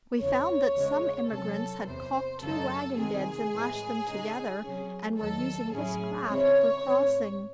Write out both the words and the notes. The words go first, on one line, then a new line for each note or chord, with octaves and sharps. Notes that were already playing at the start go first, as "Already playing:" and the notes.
We found that some emigrants had calked two wagon beds and lashed them together, and were using this craft for crossing.
E2 C#3 E3 C#5
E2 C#3 E3 G#3
C3 F#3 C#4 A4
E2 C3 E3 C5
F#2 C#3 E3 G#3 D#4 A4
C3 D#3 G#3 C4 G#4
A2 E3 G#3
C#3 G#3 D#4
C3 F#3 C#4
E2 D#3 F#3 A4
A2 F#3 C#4 E4 G#4
C#3 G#3 C4 E4 C#5
A2 E3 C4